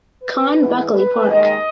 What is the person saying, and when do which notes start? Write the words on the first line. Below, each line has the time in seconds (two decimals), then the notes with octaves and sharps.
Con Buckley Park.
0.23 B4
0.59 G#2 E3 B3
0.94 B4
1.30 D#2 D#3 G#3 D#5